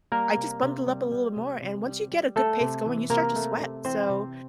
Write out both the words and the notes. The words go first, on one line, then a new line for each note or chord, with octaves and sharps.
I just bundle up a little more, and once you get a good pace going, you start to sweat, so,
G3 A#3 A#4
C3
C3
G3
G3
C3
C3
G3
G3
A3 A4
C3
E3
C3 A#3 A#4
A3
C3
E3 C4 C5
C3